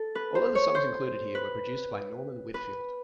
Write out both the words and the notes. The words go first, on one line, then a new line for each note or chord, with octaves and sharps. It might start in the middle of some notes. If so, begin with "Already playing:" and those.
All of the songs included here were produced by Norman Whitfield.
Already playing: A4
B4
C5
C#5
C5
B4
B4